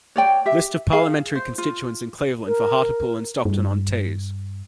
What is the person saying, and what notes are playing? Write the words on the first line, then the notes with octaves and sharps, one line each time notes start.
List of Parliamentary constituencies in Cleveland for Hartlepool and Stockton-on-Tees.
C#5 D5 G5
G4 E5
G#4 F5
C5
F4
A#4
G2